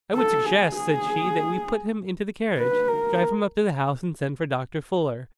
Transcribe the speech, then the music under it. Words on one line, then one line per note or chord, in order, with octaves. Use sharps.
"I would suggest," said she, "that we put him into the carriage, drive him up to the house, and send for Dr. Fuller."
A4
G#4
G#4
B4
A#4